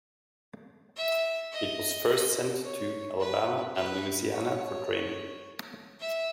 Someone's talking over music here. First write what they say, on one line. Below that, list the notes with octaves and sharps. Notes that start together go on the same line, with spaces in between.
It was first sent to Alabama and Louisiana for training.
E5
D#5
C#5
B4
B4
C#5
E5